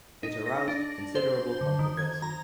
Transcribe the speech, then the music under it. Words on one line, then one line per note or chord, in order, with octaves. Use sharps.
It aroused considerable controversy.
D#4
A#6
D4
C5
D3
D#3
G#6
A#5